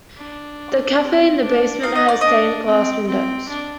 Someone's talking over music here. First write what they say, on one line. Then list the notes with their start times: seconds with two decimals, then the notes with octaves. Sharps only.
The cafe in the basement has stained glass windows.
0.17 D4
1.00 C4
1.42 D4
1.82 D#4 F5
1.95 D#5
2.08 D5
2.21 D4 D#5
2.66 C4
3.07 C4
3.48 D4